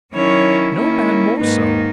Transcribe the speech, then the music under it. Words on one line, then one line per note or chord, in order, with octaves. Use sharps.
"No man more so."
D#3 F#3 C#4 E4 C#5
D#3 A#3 C#4 E4
G#2 D#3 A#3 D#4 B4